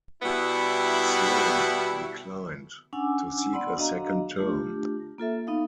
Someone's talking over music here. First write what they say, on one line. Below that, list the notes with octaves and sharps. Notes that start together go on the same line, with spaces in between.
Sloan declined to seek a second term.
B2 G3 B3 E4
C#4 D4 F#5 G#5 D6 E6
B3 D5 F#5 B5 C6 E6
D4 F#4 D#5 F5 A#5
A3 D4 F4 G4
A#3 F4 A4 E5
B3 D#4 F5